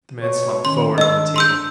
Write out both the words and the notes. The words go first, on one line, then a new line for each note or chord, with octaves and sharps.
The man slumped forward on the table.
B2 C#5
D#3 C#4 C6
D4 D#5 E6
C6 E6 G6